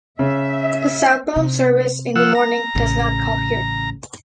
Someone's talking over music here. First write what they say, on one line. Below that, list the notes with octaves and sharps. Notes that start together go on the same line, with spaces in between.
The southbound service in the morning does not call here.
C#3 E5
C3
F3 F#5 E6
A#5
A1 C#3